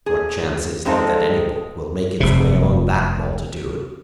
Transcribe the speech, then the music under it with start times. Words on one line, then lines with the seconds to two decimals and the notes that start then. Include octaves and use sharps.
What chance is there that any book will make its way among that multitude?
0.06 G#4
0.85 F3 G#3 C4 D#4 A4 F5
2.20 F1 C3